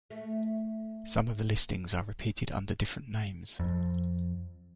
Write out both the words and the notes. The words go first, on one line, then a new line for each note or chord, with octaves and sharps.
Some of the listings are repeated under different names.
A3
F2